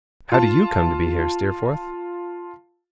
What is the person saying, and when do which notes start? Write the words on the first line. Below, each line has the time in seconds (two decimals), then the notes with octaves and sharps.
How do YOU come to be here, Steerforth?'
0.32 F4 A5